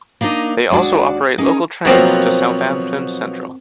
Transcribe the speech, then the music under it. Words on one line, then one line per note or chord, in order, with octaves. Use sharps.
They also operate local trains to Southampton Central.
A#3 D4 D#4 A#4 D#5
D#2 G#3 D4 F#4 D5
C#4 D#4 G#4 A#4
B2 F3 F#3 A#3 C4 B4